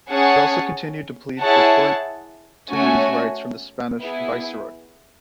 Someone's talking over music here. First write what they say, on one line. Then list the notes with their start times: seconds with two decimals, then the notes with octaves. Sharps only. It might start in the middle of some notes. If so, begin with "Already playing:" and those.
She also continued to plead for Tortonese rights from the Spanish viceroy.
0.11 C#4 G#4 C#5 F#5 A5
1.41 E4 G#4 C#5 F#5 A5
2.70 A3 C#4 F#4 C#5 G#5
4.01 B3 E4 G#4